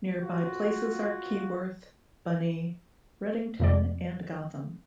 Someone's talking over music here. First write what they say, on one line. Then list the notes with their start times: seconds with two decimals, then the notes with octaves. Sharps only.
Nearby places are Keyworth, Bunny, Ruddington and Gotham.
0.22 F4 F#4
3.60 F2 C3 D5